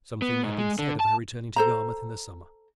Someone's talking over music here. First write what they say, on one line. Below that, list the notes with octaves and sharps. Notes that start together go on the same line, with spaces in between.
Something had been said of her returning to Yarmouth in the summer.
B3
G#2
G#3
D3
A5
A4 C5 A#5